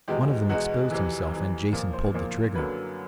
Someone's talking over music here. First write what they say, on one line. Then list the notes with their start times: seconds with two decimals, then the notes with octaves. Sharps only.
One of them exposed himself and Jason pulled the trigger.
0.08 E2 B2 G#3 G4
0.49 E2 B2 G#3 F#4
0.91 F2 C3 E3
1.32 F2 C3 E3
1.73 A#2 F3 A#3
1.93 C5
2.14 A#2 F3 A#3
2.55 F#2 D3 F#3 A#3 B4